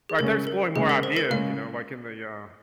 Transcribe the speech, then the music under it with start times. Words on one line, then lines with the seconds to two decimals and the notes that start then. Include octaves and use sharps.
Right, they're exploring more ideas, you know, like in the j uh
0.09 G#4
0.19 C#3 G#3 C#4 A#4
0.47 A#4
0.76 C#3 G#3 C#4 G#4
0.89 A#4
1.03 C5
1.17 A#4
1.30 C#3 G#3 C#4 F5